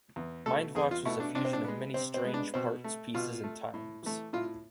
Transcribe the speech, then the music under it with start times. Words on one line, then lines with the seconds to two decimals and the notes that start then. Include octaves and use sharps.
MindVox was a fusion of many strange parts, pieces and times.
0.16 E2
0.46 B2 A3 A4
0.75 E2 G#4
0.91 F4
1.05 B2 A3 E4
1.20 D4
1.35 C3 D4
1.45 C4
1.53 D4
1.64 G#3 B3
1.94 C3 C4
2.14 C4
2.24 G#3 B3
2.34 D4
2.54 B2 C4
2.84 A3
3.15 B2 F4
3.43 A3
3.74 A2
4.03 E3 A3
4.33 A2 F4